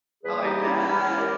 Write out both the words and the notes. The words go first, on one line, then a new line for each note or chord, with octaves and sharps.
I bet!
E2 C#3 G3 A#3 G#4 B4
D#4 G4
C#4 E4
D#4
E2 C#3 G#3 C#4 E4
G4 A#4